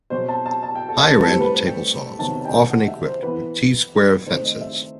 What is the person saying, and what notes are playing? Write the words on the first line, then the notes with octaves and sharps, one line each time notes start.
Higher-end table saws are often equipped with T-square fences.
B2 F#3 C4 C5
A5
A5
A5
G5
A4
A4
A2 G3 C4 B4
A4
G4
B4
B4
G5
C3 D#3 F#3 B3 A5
G5
F#5
E5
C5
E3 B3 B4
D#3 A3 C4 C5
D#5
E5